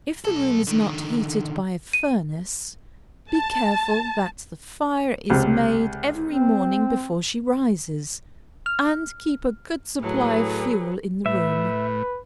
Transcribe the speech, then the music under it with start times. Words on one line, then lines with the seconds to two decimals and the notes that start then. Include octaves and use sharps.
If the room is not heated by a furnace, be careful that the fire is made every morning before she rises, and keep a good supply of fuel in the room.
0.24 B1 A4
0.67 D3 D#3
1.93 D#7
3.32 A5
5.30 C#2 C3
6.27 C4
8.66 F6
10.02 A2 F#3 G#4 A4 B4
11.26 A2 B4 E5